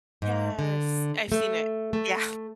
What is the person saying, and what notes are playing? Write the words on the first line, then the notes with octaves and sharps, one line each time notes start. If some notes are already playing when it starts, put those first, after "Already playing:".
Yes, I've seen it. Yeah.
G#2
D3
A3
A3